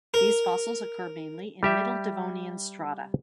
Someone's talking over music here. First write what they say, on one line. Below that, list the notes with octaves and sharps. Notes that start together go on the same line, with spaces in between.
These fossils occur mainly in Middle Devonian strata.
A#4
G3 G4 E5